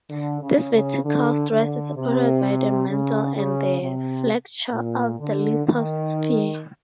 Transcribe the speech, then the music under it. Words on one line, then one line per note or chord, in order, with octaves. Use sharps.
This vertical stress is supported by the mantle and the flexure of the lithosphere.
D3
C#3
C#3
D3
D3
C3
C#3
C#3
C3
A#2
D3
D#3